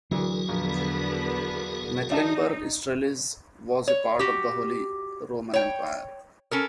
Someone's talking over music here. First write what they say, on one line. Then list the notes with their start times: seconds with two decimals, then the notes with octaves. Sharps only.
Mecklenburg-Strelitz was a part of the Holy Roman Empire.
0.11 D2 E3 F#3 F#4 G#4 A#4
0.49 A#1 E2 D3 B3
2.10 D#4 D5 E5 A5
3.88 C#5
4.19 F#4 G4
5.54 C#5 G5
6.51 C#4 A4 A#4